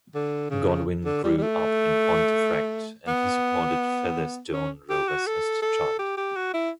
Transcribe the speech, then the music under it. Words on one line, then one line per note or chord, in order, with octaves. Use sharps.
Godwin grew up in Pontefract and supported Featherstone Rovers as a child.
D3
C#3
D3
G3
G3
A3
B3
C#4
G4
F#4
A4
A4
G4
G4
F#4
E4